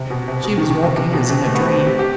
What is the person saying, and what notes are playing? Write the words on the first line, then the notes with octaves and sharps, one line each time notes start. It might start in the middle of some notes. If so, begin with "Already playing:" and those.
She was walking as in a dream.
Already playing: C3
B2
C3
B2
D#3
D#3
C3
C3
B2
C3
A3
B3
C4
C4
G4
G4